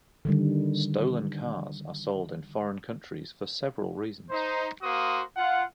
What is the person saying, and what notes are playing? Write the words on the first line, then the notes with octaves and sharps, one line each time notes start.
Stolen cars are sold in foreign countries for several reasons.
D3 D#3 G3
D#4 C5
A#3 F#4 C5 C6 D#6
F4 F#5